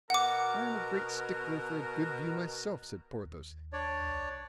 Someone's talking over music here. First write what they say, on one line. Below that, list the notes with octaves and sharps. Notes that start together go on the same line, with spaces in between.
"I am a great stickler for a good view myself," said Porthos.
B2 A#4 F#5 D6
D#2
D4 C#5 D5
C2